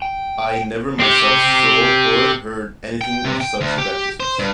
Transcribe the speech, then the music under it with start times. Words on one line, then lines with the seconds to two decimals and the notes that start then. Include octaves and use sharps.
I never myself saw or heard anything of such practices.
0.02 G5
1.00 C4 G4
3.01 G5
3.25 C3
3.41 G5
3.61 D2
3.78 G4
4.20 C5
4.39 G2